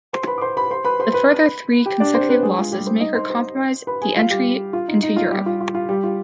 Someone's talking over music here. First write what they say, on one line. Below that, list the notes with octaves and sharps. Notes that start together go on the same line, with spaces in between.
But the further three consecutive losses make her compromise the entry into Europe.
C5 C6
B4 B5
D6
C5 C6
B4 B5
C5 C6
B4 B5
C5 C6
B4 B5
G4 G5
D4 D5
C4 C5
B3 B4
G#3 G#4
F4
G3 G4
C4 C5
D#4 D#5
C5 C6
C5 C6
B4 B5
G#4 G#5
F4 F5
G3 G4
F4
D#4
D#4
F4
G3 G4
F4
F4
F4
G3 G4
F4